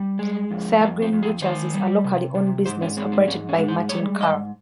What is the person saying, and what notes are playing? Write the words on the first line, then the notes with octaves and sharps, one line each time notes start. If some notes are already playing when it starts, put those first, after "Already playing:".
Fairgreen butchers is a locally owned business operated by Martin Carroll.
Already playing: G3
G#3
F2
F2 A#3
C4
F2
G#4
D#3 C5
G3
C3
C3
G#2 C5
C#4
G#3 C4
C4
G#2 C#4
C#4
G#3
C5
G3 C#5
G#2 D#5